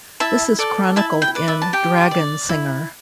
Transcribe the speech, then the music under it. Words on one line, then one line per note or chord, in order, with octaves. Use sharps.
This is chronicled in "Dragonsinger".
E4 E5 A5
A4 D5
E4 E5 A5
G5
B4 D5
E5
A5
G4 G5
D5
E4